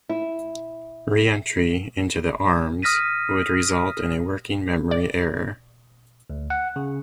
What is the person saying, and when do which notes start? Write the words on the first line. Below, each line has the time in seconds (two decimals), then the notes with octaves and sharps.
Re-entry into the arms would result in a working memory error.
0.09 E4
2.82 D#6 F6 A#6 B6 D#7
4.91 D5
6.30 D2
6.50 F#5
6.76 C#3